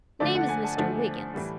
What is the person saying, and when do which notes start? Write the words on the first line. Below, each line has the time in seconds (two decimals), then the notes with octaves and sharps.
"Name is Mr. Wiggins."
0.20 D3 F3 A3 D5
0.35 F#5
0.49 G#5
0.64 A5
0.77 D3 F3 A3
1.34 A2 E3 G3